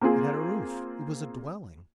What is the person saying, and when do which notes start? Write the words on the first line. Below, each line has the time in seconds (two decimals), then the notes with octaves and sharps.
It had a roof--it was a dwelling.
0.01 A#3 C4 F4 G#4